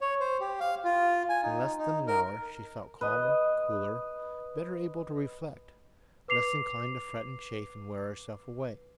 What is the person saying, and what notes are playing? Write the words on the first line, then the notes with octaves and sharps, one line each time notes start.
In less than an hour she felt calmer, cooler, better able to reflect--less inclined to fret and chafe and wear herself away.
C#5
C5
G4
F5
F4
G#5
D#4
D#4
A#4
B4 D#5
B4 D6 C7 F7